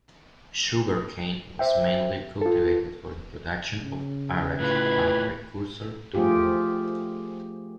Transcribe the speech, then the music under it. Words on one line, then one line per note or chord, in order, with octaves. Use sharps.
Sugar cane was mainly cultivated for the production of "arrack", a precursor to rum.
C5 E5 G5
F4 A4
C#3
A2 E4 F4 B4 B5 G#6
F3 A3 F4 G4 G#4